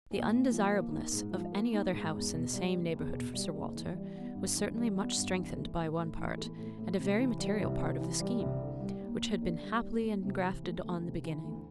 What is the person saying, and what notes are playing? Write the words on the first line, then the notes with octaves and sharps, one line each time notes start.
The undesirableness of any other house in the same neighbourhood for Sir Walter was certainly much strengthened by one part, and a very material part of the scheme, which had been happily engrafted on the beginning.
A#2
A#2
F3
A#3
D#4
G#2
F3
A#3
D#4
G#2
E2
B2
G3
F#1
E2
B2
G3
F#1
E3
G3
B3
G2
E3
G3
B3
G2
E3
A3
A2
A2
E3
A3
A2
A2
C3
E3
G3
C2
C3
E3
G3
C2
D3
G3
D#2
D#2
D3
G3
D#2
D#2
C3
E3
D2
D2
C3
E3
D2